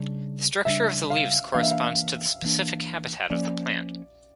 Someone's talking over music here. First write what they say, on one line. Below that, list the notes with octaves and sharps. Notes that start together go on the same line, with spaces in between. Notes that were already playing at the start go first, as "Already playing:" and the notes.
The structure of the leaves corresponds to the specific habitat of the plant.
Already playing: C#3 G3 D4
C#3 G3 D4 E5
F5
E3 A#3 D4 F5
E5
F5
E3 A#3 D4
F3 A#3 C#4 D5